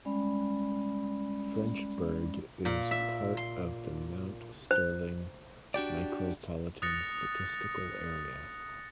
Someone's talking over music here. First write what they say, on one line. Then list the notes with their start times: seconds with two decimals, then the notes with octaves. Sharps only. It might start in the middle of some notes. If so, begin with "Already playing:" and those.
Frenchburg is part of the Mount Sterling Micropolitan Statistical Area.
0.05 G3 G#3 C#4 D5 B5
2.65 A#2
2.91 E5
3.37 C6
4.71 C5
5.74 D4 F#4 G4 D5
6.82 D#6 F#6 A6 A#6 C#7